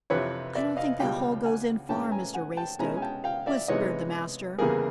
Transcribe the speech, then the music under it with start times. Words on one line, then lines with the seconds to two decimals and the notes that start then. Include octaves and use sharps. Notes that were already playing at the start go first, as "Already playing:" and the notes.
"I don't think that hole goes in far, Mr Raystoke," whispered the master.
0.10 F2 C3 E3 B4 C#5
0.55 D5 E5
0.77 D#5 F5
1.00 C#2 B2 G3 F5 G5
1.44 F#5 G#5
1.89 A2 E3 G#3 C#4 G5 A5
2.12 G#5 A#5
2.34 F#5 G#5
2.57 G5 A5
2.79 B2 G#3 C#4 E4 G#5 A#5
2.97 G#5
3.02 G5 A5
3.24 F5 G5
3.46 D5 E5
3.68 C3 E3 G#3 B3 D#4 C#5 D#5
4.58 E2 C#3 E3 G3 A#3 G#4 A#4